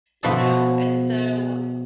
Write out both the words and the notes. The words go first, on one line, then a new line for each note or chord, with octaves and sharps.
you know? And so,
B2 F3 F#4 B4 E5 A5